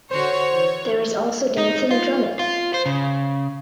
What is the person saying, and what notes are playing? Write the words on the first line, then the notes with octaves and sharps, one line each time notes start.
There is also dancing and drumming.
D3 F#4 C5 C#5
E3
D#4
F4
F4
C5
C#3